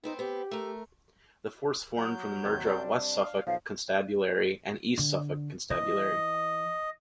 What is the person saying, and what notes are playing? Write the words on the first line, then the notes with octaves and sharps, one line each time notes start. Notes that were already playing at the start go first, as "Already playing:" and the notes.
The force formed from the merger of West Suffolk Constabulary and East Suffolk Constabulary.
B3 C4 D#4 C5
B3 C4 G4
A3 A#4
F#3 G6
D#2 C3 D#3
C3 G3 D4
F5
B1 F3 F5
D3
E3 D#5